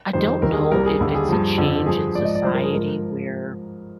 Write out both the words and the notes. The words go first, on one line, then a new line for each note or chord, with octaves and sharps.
I don't know if it's a change in society where,
F2 D#3 G3 C5
D#2 D#3 G3 A#4
G#4
C2 C3 G3 A#4
G#4
D#2 D3 G3
G#4
G2 F3
F2 D3 F3
G2 F3 G#4
G#2 F3 D5
D#5
D5
G2 F3 C5
A#4
G#4
G#2 F3 A#4